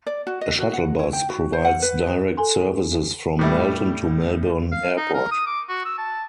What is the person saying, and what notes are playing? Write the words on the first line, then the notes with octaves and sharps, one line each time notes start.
A shuttle bus provides direct services from Melton to Melbourne Airport.
D5
F#4
D#5
F#4
F#5
E4
G5
F#4
C5
F#5
B4
A4 G#5 C6
A2 G3 E4
F5
D#4
A#4
D#6
D6
F#4
E6
A5